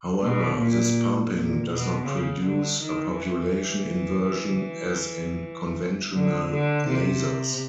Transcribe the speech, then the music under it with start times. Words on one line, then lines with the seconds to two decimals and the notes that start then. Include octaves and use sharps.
However, this pumping does not produce a population inversion as in conventional lasers.
0.21 B2
0.58 A#2
1.32 A#2
1.70 B2
2.06 C#3
2.44 D3
2.80 D#3
3.17 E3
6.15 D3
6.51 D3
6.88 C3